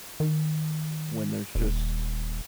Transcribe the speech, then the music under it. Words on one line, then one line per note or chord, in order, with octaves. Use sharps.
when there's just
D#3
D#1